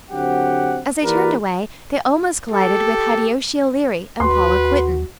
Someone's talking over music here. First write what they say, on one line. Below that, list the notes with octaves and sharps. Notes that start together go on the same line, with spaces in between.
As they turned away, they almost collided with Hideyoshi O'Leary and Paula Quinton.
D3 F#3 C4 G4 F#5
E3 A#3 G4 A#4 B4 D5
G4 A4
D#2 F#4 B4 C6